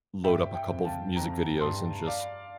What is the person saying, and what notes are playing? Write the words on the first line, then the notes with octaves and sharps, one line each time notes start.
load up a couple of music videos and just
G2 E5 G5
E5 G5
F2
F5 A5
F2 G5 A#5
G2 A5 C6
D5 F5